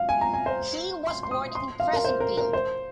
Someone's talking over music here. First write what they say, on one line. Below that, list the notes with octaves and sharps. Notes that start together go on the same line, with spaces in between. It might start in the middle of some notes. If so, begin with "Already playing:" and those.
He was born in Fressingfield.
Already playing: F5
G#5
A#5
G#5
C5
C6
C6
D#6
C6
F5
A#4
C5
A#4
A#4
C5